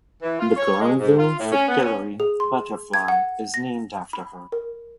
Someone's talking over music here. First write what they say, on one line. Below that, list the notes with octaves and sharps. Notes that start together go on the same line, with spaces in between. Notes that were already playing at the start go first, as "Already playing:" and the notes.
The Glanville fritillary butterfly is named after her.
E3
F4
C#5
G#3
G#2
F4
A2
C#4
B3
C#4
G#4
C6
G#6
F#5
A#6
B5
A#4